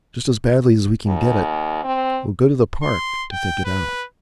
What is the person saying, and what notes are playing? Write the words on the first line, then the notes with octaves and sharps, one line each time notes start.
Just as badly as we can get it. We'll go to the Park to think it out.'
D#2
C4
C6
G5
B4